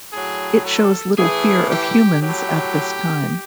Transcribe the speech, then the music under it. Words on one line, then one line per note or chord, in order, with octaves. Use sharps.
It shows little fear of humans at this time.
A2 F#3 G#4
A4
A2 E3 G#4
G4
A2 F#3 G4